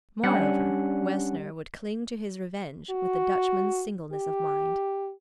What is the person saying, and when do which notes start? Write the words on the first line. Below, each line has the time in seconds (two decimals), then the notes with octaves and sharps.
Moreover, Wessner would cling to his revenge with a Dutchman's singleness of mind.
0.24 G3 C#4 D4 F#5
2.90 F#4
4.13 G4